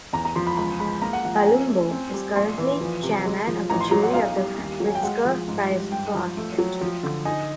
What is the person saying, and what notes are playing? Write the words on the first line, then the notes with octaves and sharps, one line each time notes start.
Palumbo is currently chairman of the jury of the Pritzker Prize for Architecture.
E2 A#5
A#5
F3 C6
B5
C#2 B5
G#3 B5
A#3 A#5
F#5
F3 F#5
G5
C#4 G#5
A3
C4
G3
A#1 C6
E3
F3
C3
G#3
F3
A1 A#5
C6
F#3 A#5
F#5
B1 F5
G3
D#2
F#3
G#5
G5
G#3 F#5
F3
G#2
G3
G2 G5
F3
A3
F#3
F3
D3
D#4 G#5